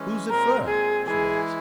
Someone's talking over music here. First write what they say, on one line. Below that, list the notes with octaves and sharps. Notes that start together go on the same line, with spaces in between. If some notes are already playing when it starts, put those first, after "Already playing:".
"Who's it fur?" she asked.
Already playing: E3 G#3 C#4
A#2 G#3 C4 A#4
G#4
E3 G#3 E4 G#4